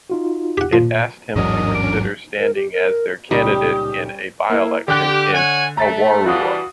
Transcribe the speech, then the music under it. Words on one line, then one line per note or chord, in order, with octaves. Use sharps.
It asked him to consider standing as their candidate in a by-election in Awarua.
D#4 F4 F#4
G4 F#5
A#2 F3
A1 E2 G#2 F#3 C#4 D4 A#4 D#5
D6
A#4
G4
A#4
C#2 A#2 G3 C#4 D#4 G4 D#6
A#3 E4
D3 G4 F#6
C#5 F#5 G#5
A3 A#5 A6 B6
E3 G3 D4 F#4 F5 D#6